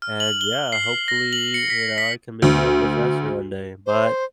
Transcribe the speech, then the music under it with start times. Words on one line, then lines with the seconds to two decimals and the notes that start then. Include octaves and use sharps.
and, yeah, hopefully, you know, I can become a professor one day, but,
0.02 F6
0.20 F#7
0.41 G7
0.72 C7
1.08 A#6
1.33 F#7
1.54 C#7
1.70 B6
1.98 B6
2.42 D2
3.86 C5